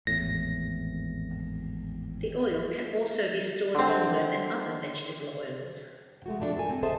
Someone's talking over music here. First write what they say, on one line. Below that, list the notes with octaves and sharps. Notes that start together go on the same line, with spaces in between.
The oil can also be stored longer than other vegetable oils.
G#1 E2 A2 A#6
D3 C4
G#3 A3 F#4
F2 A3 D4 E4 A4
A4 A#4 G#5
C4
G#4 A4 C5 D#5 E5 A5